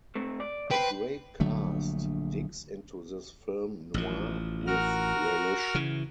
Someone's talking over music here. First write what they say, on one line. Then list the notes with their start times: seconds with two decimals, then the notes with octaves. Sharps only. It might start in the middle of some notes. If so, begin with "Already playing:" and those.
A great cast digs into this film noir with relish.
0.15 A3 C4
0.40 D5
0.71 B4 C5 G5
1.40 A#1 D3 F#3 A3
3.94 A1 F3
4.67 F#4 A#4 F6
5.75 C#3 E3